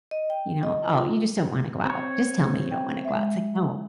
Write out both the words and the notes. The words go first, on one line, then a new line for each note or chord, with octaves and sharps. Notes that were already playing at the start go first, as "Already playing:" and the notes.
you know, "Oh, you just don't wanna go out. Just tell me you don't wanna go out." It's like, "No"
D#5
G5
D#5
F4
C4 C#5
G5
G#3 E5